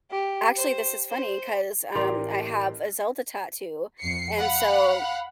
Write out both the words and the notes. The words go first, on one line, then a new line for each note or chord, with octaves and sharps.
actually, this is funny 'cause, um, I have a Zelda tattoo. And so,
G4
C5
C5
A1 G4 A#4 D5 C6 F7
F2 C7 C#7
F5 F#5 B5